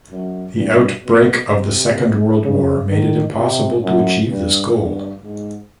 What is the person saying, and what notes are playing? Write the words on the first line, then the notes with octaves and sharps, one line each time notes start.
The outbreak of the Second World War made it impossible to achieve this goal.
F#2
G2
B2
C3
C#3
D#3
C3
F#2
G2
G2
G#2